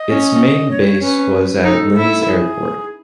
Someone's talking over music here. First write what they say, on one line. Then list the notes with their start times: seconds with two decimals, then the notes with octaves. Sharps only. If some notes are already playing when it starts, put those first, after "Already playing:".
Its main base was Linz Airport.
Already playing: D#5
0.09 C#4
0.71 C#5
0.86 C#5
1.02 C#4 B4
1.64 D#4 A4
1.96 E4
2.27 A4
2.30 G#4